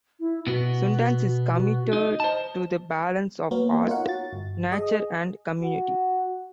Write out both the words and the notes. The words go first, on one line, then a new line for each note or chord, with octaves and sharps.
Sundance is committed to the balance of art, nature and community.
E4
B2 B3 F#4
F#4
D#4 D#5
C5 A5
A#3 B3 F#4 A#4 C#5
D#4 F4 A#4 C#5 F#5
F#4 A6
G1
G#4 D#5
F#4